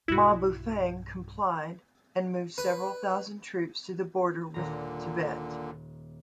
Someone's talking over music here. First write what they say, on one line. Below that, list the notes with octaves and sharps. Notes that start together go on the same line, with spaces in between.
Ma Bufang complied, and moved several thousand troops to the border with Tibet.
B1 G2 E4 F#4
B4
D#1 A#2 D3 A#5